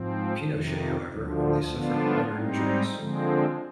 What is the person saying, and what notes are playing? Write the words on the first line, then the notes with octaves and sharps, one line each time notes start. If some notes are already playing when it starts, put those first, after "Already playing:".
Pinochet, however, only suffered minor injuries.
Already playing: G#2 F3 C4
F2 C3 D#3
D2 D3 F3
D3 F3 B3 D4 F4
G#2 G3 C4 D#4
D3 F3 G#3 C4